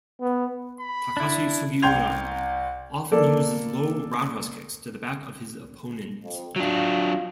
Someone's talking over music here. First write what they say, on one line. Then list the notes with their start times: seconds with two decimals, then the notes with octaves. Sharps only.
Takashi Sugiura often uses low roundhouse kicks to the back of his opponent.
0.21 B3
0.79 B5
1.17 D4 E4
1.82 C2 G5 C6 G6 G#6 F7
3.12 A#3 A4 D5
6.23 F2
6.56 F#3 D4 F4 F5